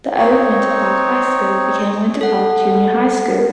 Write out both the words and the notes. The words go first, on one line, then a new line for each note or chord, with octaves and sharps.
The old Winter Park High School became Winter Park Junior High School.
C4 D#4 C#5
A4 F#5